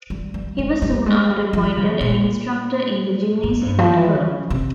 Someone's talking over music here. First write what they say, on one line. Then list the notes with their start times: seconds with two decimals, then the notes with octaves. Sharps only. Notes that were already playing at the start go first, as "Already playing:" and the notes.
He was soon after appointed an instructor in the gymnasium at Cologne.
0.10 G3
0.34 G3
0.58 G#3
0.82 G3
1.06 G#3
1.30 G3
1.53 F3
1.77 C#3
2.01 A#2
3.43 G#2
3.61 G2
3.78 F3
3.96 E3
4.15 C#3
4.50 C3